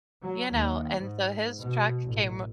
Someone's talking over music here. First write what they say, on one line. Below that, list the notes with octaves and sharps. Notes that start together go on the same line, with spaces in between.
You know? And, so, his truck came
F#3
D#2
G#2
B2
A1